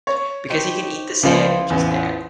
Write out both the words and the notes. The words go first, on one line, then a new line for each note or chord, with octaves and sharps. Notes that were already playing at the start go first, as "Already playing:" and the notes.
Because he can eat the sand which is there.
C#5
D#4 G4 C5
C#2 E3 F3 F4 C5
A1 E2